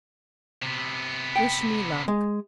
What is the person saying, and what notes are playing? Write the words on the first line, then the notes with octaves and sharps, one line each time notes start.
Wish me luck.'
C3 B3
G5
G#3